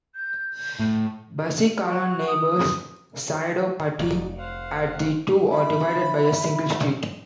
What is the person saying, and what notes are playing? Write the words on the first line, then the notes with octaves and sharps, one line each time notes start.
Bassi Kalan neighbors Saido Patti, and the two are divided by a single street.
G6
A2
F#4
D#6
F1 D#4 F#4 D5
C5 F5 F#5
E4 B5